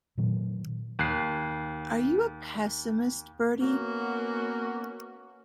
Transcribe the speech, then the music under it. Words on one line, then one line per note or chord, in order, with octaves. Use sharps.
Are you a pessimist, Bertie?
A#2 D#3 F#3
D#2 F#6 C7
A#3 B3 C#4 F#4